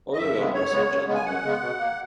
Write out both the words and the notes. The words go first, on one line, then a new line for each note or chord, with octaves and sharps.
Oliver was a gentleman.
D#5
F#2 E5
C#3 G#3 B3
F#2 C#5
C#3 G#3 B3
F#2
C#3 G#3 B3
G#5
F#2 F#5
C#3 G#3 B3
B2
A#3